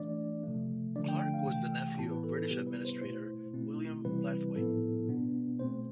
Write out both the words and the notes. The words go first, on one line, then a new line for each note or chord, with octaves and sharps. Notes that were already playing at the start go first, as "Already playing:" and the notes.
Clarke was the nephew of British administrator William Blathwayt.
Already playing: E3 A3 D4 D5
C3 F3 A3
D3 F3 A3 D4 D5
G5
G5
F5
C3 E3 A3 G5
A2 E3 B3 E4 A5
B4
A4
A4
C3 G3 B3 E4 G4
B4
C5
B2 A3 E4 C5
B2 A3 C4 E4
C3 E3 G3 C4 E4 B4
A2 F3 B3 E4 A4
B2 B3 D4
B2 A3 C4 C5